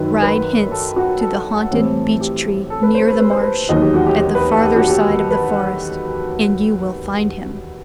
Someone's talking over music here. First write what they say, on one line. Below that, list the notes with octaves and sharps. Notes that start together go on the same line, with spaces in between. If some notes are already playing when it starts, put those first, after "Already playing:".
"Ride hence to the haunted beechtree near the marsh, at the farther side of the forest, and you will find him."
Already playing: F#2 D#3 F#3 B4
B4
A4
F#4
A4
A2 E3 G3 C4
G4
A4
B4
C5
B4
B4
C5
B4
E1 D#2 D#3 F#3 D#5
G4
F#4
G4
G4
B4
A4
G4
F#4
G4
B4